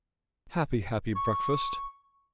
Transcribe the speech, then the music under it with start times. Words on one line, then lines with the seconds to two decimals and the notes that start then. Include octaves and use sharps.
Happy, happy breakfast!
1.15 C#6